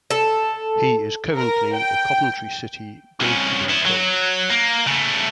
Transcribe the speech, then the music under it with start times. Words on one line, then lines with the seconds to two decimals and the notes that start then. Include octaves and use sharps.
He is currently a Coventry City Goalkeeping coach.
0.11 A4
1.35 A#4
1.74 G5
3.20 C2 C#3
3.70 B3 E4
3.86 F#3
4.51 A#3
4.86 C#3 A3